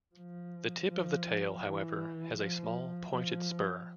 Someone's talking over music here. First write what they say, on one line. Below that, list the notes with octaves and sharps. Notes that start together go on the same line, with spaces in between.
The tip of the tail, however, has a small, pointed spur.
F3
F3
E3
F3
F3